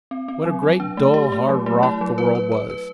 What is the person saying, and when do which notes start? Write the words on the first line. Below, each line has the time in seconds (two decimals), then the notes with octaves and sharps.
What a great dull hard rock the world was!
0.11 C4
0.28 C4
0.45 F#3
0.63 F#3
0.80 D4
0.97 A3
1.14 G4
1.32 A3
1.49 F#3
1.66 A3
1.83 E4
2.01 F#3
2.18 B4
2.35 B4
2.52 B4
2.70 B4